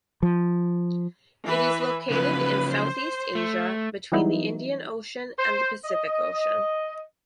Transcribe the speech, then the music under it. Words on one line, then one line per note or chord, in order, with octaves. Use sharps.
It is located in Southeast Asia between the Indian Ocean and the Pacific Ocean.
F3
E3 B4 E5
C#3 F3 F#3 B4
C5
A3
E3 F#3 G3 B3 D#4 E4
C5
D#5